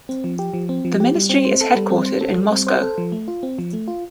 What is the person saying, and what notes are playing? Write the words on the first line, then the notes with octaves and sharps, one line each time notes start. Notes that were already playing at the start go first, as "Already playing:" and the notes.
The Ministry is headquartered in Moscow.
C4
F3
G4
F3
C4
F3
G4
G3
C4
C5
A4
G3
C4
C5
A4
G3
C4
C5
A4
F3
A3
F4
C4
F3
A3
F4